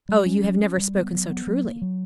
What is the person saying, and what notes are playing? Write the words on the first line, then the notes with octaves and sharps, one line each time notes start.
"Oh, you have never spoken so truly."
G3
C#4
F#3
C#4
G3
B3
F#3
B3
F#3
A#3
F#3